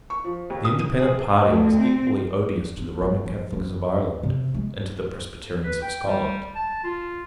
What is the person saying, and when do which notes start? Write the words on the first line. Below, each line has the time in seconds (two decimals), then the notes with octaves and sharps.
The Independent party was equally odious to the Roman Catholics of Ireland and to the Presbyterians of Scotland.
0.10 C#6
0.24 F3
0.50 D#2
0.65 D#6
0.79 D#7
0.99 G#4
1.43 D2
1.80 C4
2.77 B3 C4
3.02 F4
3.26 F3
3.52 F#2 C#4
4.23 C3
4.54 G#3
5.63 B4
5.82 G5
6.06 G3
6.55 A5
6.84 F4